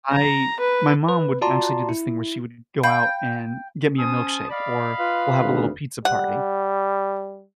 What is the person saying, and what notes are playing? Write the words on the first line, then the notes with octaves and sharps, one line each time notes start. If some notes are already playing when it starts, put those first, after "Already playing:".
I my mom would actually do this thing where she would go out and get me a milkshake, or we'll have a little pizza party.
A#5
B4
B4
F4 F#4 D5 A5 A#5 C6
E4
F5 G5 B5
C#4 C5 A5 D#6
D5 D#5 F5 B5
F4 B4
G#1 D2
G3 F#5